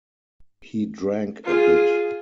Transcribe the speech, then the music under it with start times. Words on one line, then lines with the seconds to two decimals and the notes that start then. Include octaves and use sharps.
He drank a bit.
1.45 F4 G#4